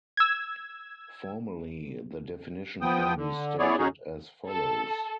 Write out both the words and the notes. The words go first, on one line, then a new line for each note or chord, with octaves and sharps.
Formally, the definition can be stated as follows.
E6 G#6
F3 B3 G5 D#6
D3
B3 E4 G#4 C#5 D5
C#4 D#4 F#4 G#4
A4